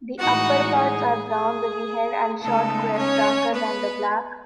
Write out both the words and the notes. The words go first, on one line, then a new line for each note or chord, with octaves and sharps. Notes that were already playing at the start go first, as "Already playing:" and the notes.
The upperparts are brown, with the head and short crest darker than the back.
A2 E3 G#3 D#4 F#4 F#5
G#4
G#4
C#3 G#3 A3 B3 D#4 A4
C#4 C#5
B3 B4